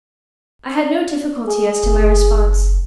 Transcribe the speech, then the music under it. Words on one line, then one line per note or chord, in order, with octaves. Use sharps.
I had no difficulty as to my response.
G#4
F#1